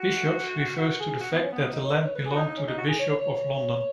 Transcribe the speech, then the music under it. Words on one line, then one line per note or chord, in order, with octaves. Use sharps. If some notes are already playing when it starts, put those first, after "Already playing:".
'Bishops' refers to the fact that the land belonged to the Bishop of London.
Already playing: F#4
F#4
G#4
F#4
B3
C#4
B3
B3
D#4
C#5
B4
C#5
B4
G#4
F#4
D#4
D#4
C#4
D#4
F#4
G#4
C#5
C#5
C#5